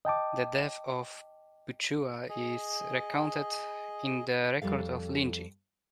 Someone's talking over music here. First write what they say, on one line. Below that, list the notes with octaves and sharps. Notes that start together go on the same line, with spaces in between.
The death of Puhua is recounted in the Record of Linji.
D#5 G5 A5 D6
G#4 D#5
F2 G3 A4 F5